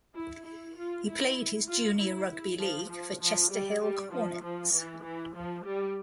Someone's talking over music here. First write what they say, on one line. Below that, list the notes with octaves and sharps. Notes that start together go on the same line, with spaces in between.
He played his junior rugby league for Chester Hill Hornets.
E4
E4
F4
E4
F4
E4
F3
F3
F3
G3
G3
F3
F3
E3
E3
F3
G3